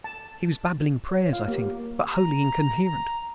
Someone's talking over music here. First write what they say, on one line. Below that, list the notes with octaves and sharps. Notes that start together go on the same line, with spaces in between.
He was babbling--prayers, I think, but wholly incoherent.
A5
C#5
F4 F5
A#3 G4
A#5
A#5